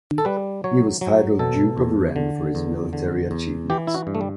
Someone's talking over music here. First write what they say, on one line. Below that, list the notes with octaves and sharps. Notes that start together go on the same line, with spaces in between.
He was titled Duke of Ren for his military achievements.
A4
G3 B4
F#3 C#5
F#3
B2 A4
E2
D3
E2
D3
E2
E3 G4
E4
F#4
G2
A3
G3